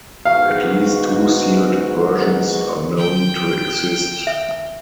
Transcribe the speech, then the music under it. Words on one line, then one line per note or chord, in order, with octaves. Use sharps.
At least two sealed versions are known to exist.
E2 G#2 F#4 F5
G5
E5